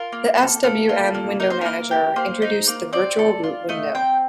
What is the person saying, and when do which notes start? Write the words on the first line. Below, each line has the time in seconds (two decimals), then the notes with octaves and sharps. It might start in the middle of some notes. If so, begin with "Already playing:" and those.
The swm window manager introduced the virtual root window.
Already playing: F4 A#4
0.12 A#3
0.38 A4
0.63 A#3 A4
0.89 F4
1.14 A#3
1.40 D#4 A#4
1.50 C5
1.61 A#3 A#4
1.91 G4
2.16 A#3 C5
2.42 D#4
2.67 A#3
2.93 C4 D5
3.19 A4
3.44 F4
3.69 A3 D#5
3.95 C4 G5